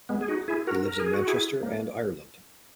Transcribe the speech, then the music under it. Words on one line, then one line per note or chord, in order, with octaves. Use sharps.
He lives in Manchester and Ireland.
G#3 B3
G#4
D#4 F#4
E4 G#4
F#4 A#4
A#4
G#4
F#4
E4 G#4
A#3